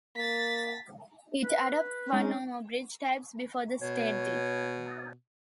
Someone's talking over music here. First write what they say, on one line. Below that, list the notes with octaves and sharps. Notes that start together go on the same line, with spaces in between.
It adopted one or more bridge types before the state did.
A#3 A6 B6
B4
G#3 C#4 D#4
B2 C#5